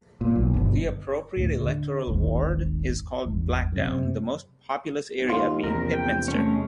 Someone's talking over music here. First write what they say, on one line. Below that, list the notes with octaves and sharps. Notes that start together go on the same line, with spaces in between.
The appropriate electoral ward is called 'Blackdown', the most populous area being 'Pitminster'.
A#2
B1
G1
D2 A2
D3
D#1 G#1 D#2
G#1 E2
F#2 C3
B1
D#2 F4
A#1 E2 C3 A#4
G5
G#3 A3 C#4